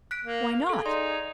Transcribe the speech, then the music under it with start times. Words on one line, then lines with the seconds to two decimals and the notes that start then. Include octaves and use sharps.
Why not?
0.11 F#6 B6 D7
0.25 A#3
0.69 G#4 A4 F5
0.85 D#4 D5 C6